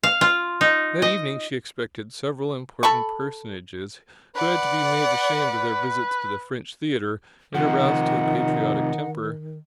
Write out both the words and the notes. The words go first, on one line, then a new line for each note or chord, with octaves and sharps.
That evening she expected several important personages who had to be made ashamed of their visits to the French theater and aroused to a patriotic temper.
F5
F4
D#4
D#5
A4 B5 C#6
B4 D5 F#5
C3 D#3 F3 D#4 F#5